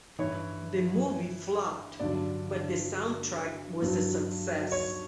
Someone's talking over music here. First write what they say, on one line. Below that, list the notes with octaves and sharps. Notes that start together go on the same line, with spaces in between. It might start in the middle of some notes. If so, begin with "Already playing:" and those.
The movie flopped but the soundtrack was a success.
G2 E3 C#5
G2 D3 F#3 D5
G2 F#3
C#5